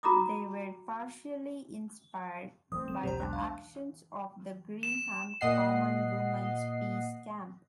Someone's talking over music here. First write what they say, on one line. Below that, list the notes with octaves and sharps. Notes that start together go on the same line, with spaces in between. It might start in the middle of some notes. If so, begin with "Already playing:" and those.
They were partially inspired by the actions of the Greenham Common Women's Peace Camp.
F#4 A#5 B5 D6 D#6
E3 A3 C4 D#6
D3 E7
B1 E2 G3 G4 C5 A#5
G#3 D4
F5
E7
A#2 D#5 F#5 C7